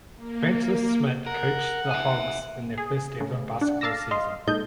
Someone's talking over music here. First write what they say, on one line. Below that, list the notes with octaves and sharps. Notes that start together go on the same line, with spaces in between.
Francis Schmidt coached the Hogs in their first ever basketball season.
A#3
A#4 F#5
E5 G#5
G#4
C#3 A3
D4 F#5
F5 A5 D6 E6 A#6
D#5 F5 C6
A#2 G#3 D#4 A4 D#5 G6